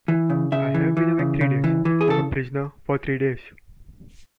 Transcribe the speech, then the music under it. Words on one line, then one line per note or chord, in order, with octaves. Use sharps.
I have been awake three days — a prisoner for three days.
E3
C#3
C#3 E5
E3
E3
C#3
C#3
E3
E3
G#4
C#3 A4